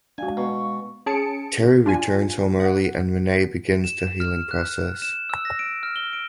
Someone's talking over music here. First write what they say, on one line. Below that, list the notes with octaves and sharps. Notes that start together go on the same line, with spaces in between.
Terry returns home early and Renay beings the healing process.
G#3 D4 F#4 F5 G#5
B2 A#5 C#6
C#4 G#4 A5 C#7 D7
D4 F4 G#5
F#5
E7
F6
F#6
E7
E6
A#6
D7
F6
G7
D7